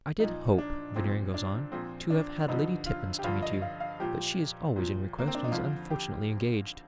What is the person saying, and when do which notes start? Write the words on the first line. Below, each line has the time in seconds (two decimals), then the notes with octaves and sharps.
'I did hope,' Veneering goes on, 'to have had Lady Tippins to meet you; but she is always in request, and is unfortunately engaged.'
0.19 A#2 F3 D#4
0.58 D4
0.96 A#2 F3 C4
1.34 D4
1.72 A#2 F3 C4
2.10 D4
2.48 G2 D3 F3 D#4
2.86 F4
3.19 G4
3.24 G2 D3 F3 F4
3.43 D#5
3.62 F5
3.80 F5
4.00 A#2 F3 G4
4.76 A#2 F3
5.18 A#3
5.28 C4
5.35 D4
5.44 D#4
5.51 F2 D3 F3 F4
5.90 G4